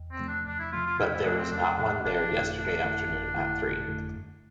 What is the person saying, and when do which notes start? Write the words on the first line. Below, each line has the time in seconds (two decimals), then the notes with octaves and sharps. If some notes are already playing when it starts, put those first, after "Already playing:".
But there was not one there yesterday afternoon at three.
Already playing: E2
0.12 C4
0.19 C3 F3 A3
0.28 D4
0.46 E2 D4
0.59 E4
0.73 C3 F3 A3 F4
0.86 F4
0.98 E2 E4
1.12 E4
1.24 C3 F3 A3 D4
1.38 C4
1.51 E2 D4
1.77 C3 F3 A3 D4
2.04 G1 D4
2.30 F2 D3 A3 E4
2.57 G1 D4
2.83 F2 D3 A3 E4
3.10 G1
3.36 F2 D3 A3 E4
3.62 G1
3.88 F2 D3 A3 E4
4.14 G2